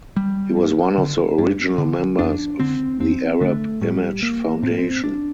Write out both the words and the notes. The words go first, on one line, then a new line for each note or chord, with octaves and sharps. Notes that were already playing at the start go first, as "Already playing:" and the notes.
He was one of the original members of the Arab Image Foundation.
G3
G2
D3
G2
D3
F2 D4
D3 C4
F2 C4
D3 A3
A2 G3
A#3
A2 C4
A#3
C4
D4